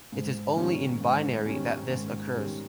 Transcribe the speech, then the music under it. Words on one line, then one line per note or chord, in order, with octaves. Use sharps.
It is only in binary that this occurs.
G#2
D#3 G3 C#4
G#2
D#3 G3 C#4
G#2
D#3 G3 C#4